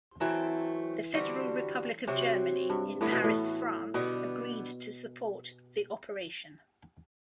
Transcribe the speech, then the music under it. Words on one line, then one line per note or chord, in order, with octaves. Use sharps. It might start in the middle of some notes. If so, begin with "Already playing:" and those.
The Federal Republic of Germany in Paris, France, agreed to support the operation.
E3 F#3 A3 C4
D3 G3 C4 F#4
C3 F#3 C4 F#4
G2
A2 E3 B3 F#4 A4
B2
A2
B2 D3 G3 B3